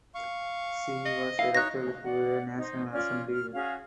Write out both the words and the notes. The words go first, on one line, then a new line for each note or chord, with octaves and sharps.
She was elected to the National Assembly.
F5 C#6
D#5
E4 F5
D#4 C#5 F#6 A#6
D5 F#5
D#4 C5 D#5
C#4 F4 D5 F6
F6
C#4 F#4 G#4 F5